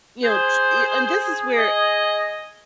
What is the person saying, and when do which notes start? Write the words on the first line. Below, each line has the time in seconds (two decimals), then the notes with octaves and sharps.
you know, t and this is where,
0.24 G#4 C5
1.58 D#5